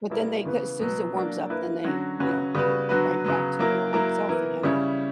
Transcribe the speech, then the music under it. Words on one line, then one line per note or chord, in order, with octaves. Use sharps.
but then they c as soon as it warms up, they you know, they're right back to their old self again.
B2 G3 A#3 E4
C#3 E3 B3
B2 F#3 B3
F#3 A#3 D4
A#3 E4 B4
D3 F#3 C#4 F#4
C#3 F#3 C#4 F#4 B4
C#3 G3 B3 F#4 B4
D3 F#3 B3 F#4 B4
C#3 F#3 B3
F#3 A#3 E4 A#4
F#3 A#3 E4 A#4
E3 B3 E4 A#4
C#3 G3 C#4 E4